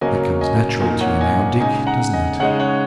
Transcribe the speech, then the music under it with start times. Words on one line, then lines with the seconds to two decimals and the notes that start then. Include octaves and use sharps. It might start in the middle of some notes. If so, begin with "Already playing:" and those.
'That comes natural to you now, Dick, doesn't it?'
0.01 C#3 F#3 A#3 C#4 D#5 G#5
0.41 D#5 G#5
0.80 A#2 A#3 D#4 D#5 G#5
1.01 C#5 F#5
1.21 D#5 G#5
1.60 C#3 G#3 D#4 D#5 G#5
1.87 F#5 A#5
2.13 D#5 G#5
2.40 C#3 G#3 D#4 C#5 F#5
2.60 C#5 F#5